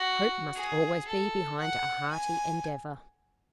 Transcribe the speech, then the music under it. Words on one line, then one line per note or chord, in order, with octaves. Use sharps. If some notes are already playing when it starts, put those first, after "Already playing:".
Hope must always be behind a hearty endeavor.
Already playing: F#4
G#4
A4
F#5
G#5